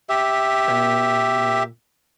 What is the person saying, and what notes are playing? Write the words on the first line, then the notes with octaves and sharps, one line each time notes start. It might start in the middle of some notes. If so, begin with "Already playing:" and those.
and, you know,
G4 E5